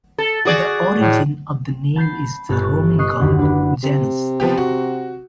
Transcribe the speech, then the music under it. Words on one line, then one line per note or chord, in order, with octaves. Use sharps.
The origin of the name is the Roman god, Janus.
A4
F#4 G#4 D5
A2
A5 B5 G6 A6 C7
G1 A4 C#5 F#6 A6
D#5 C#6 F#6 C7
F#1 D#2 D3 F#5 B6
D4 B4
C3
F3 B3 G4
F#4